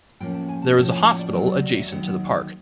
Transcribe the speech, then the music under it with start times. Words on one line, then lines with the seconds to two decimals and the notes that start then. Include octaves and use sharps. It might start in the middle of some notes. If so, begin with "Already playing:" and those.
There is a hotel adjacent to the park.
0.20 A2 F3 A#3 C#4 G5
0.34 A5
0.48 G#5
0.62 A5
0.77 A2 F3 A#3 C#4 A5
0.91 G#5
1.06 F#5
1.19 D5
1.34 D#2 D#3 F#3 D5
1.48 D5
1.62 D#5
1.76 E5
1.91 D#2 D#3 F#3 F#5